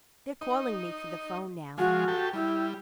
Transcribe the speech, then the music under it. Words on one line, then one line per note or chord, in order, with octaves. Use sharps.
They're calling me for the 'phone now.
D#4
F3 G#3 F#4
G4 A4
G3 E4